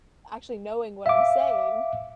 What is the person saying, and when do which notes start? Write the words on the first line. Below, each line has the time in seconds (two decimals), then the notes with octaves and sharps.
actually knowing what I'm saying."
1.06 E5 F5 D6